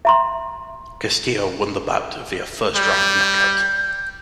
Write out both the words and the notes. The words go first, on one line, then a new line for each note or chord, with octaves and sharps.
Castillo won the bout via first round knockout.
E5 A#5 C6
G3 G6